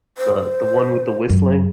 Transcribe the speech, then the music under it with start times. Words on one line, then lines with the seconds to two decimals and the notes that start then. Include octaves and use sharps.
The the one with the whistling?
0.18 C5
1.29 F#2